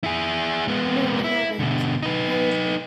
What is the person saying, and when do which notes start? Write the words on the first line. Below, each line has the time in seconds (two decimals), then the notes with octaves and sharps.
No, I haven't. How is it?
0.04 E4 G#4
0.68 G#3 B3
1.24 E4
1.59 B2 D3
2.03 D#4 B4